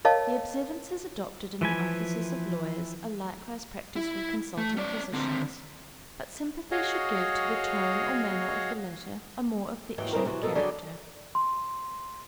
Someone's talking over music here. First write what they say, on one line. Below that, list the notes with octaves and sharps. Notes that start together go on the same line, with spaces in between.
The observances adopted in the offices of lawyers, are likewise practised with consulting physicians; but sympathy should give to the tone or manner of the latter a more affectionate character.
A#4 C#5 D#5 F5 A5
E3 F3 B4 G#5
E4
A3
C#4 D5
D3 C4
F#4 G#4 C#5 D#5 F5
D#2 G#2 E3 F#3 G5
E2 C#3 E3 C4 A#4
C3 E3 F#4
F#2 B2 A4 A#4
D3 F#3 G3 G4 G#4 D5
C6